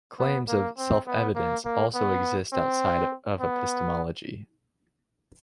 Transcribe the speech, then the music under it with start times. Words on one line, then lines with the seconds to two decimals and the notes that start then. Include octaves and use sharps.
Claims of "self-evidence" also exist outside of epistemology.
0.19 B3
0.48 A#3
0.78 C4
1.07 B3
1.36 A#3
1.65 A#3
1.95 B3
2.53 C4
3.41 B3